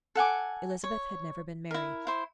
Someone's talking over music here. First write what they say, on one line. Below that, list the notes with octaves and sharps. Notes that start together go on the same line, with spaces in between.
Elizabeth had never been married.
A4 F#5 G#5 D6
C#5
E4 A#4
E4 C5